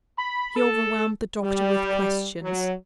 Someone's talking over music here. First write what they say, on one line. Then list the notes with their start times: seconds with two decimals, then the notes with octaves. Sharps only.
He overwhelmed the doctor with questions.
0.19 B5
0.56 A4
1.42 G3
2.42 F#3